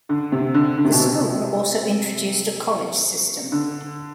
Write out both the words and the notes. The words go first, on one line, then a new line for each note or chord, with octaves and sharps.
The school also introduced a College system.
D3
C3
D3
D3
C3
B2
C3
D3